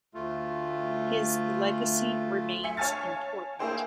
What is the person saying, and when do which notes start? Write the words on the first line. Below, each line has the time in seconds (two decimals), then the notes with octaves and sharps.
His legacy remains important.
0.14 D2 A3 F4
2.64 E5 G#5 C#7
2.77 C#5 F5 G#5 A5 F6 A6
3.59 A#3 E4 G#4 C5 G5